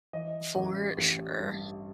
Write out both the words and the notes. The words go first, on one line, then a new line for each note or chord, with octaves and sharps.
For sure.
E3 D#5
A1
A1
G2